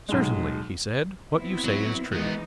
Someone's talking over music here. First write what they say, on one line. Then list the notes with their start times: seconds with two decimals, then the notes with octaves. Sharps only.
Certainly, he said, what you say is true.
0.09 B1 G#3
1.34 B3 C4 E4
1.64 F#3
2.12 D#3 E3 G#3 B3 D#4